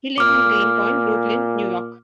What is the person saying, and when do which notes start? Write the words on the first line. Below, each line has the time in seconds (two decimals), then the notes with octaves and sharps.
He lived in Greenpoint, Brooklyn, New York.
0.18 A#2 D6 F6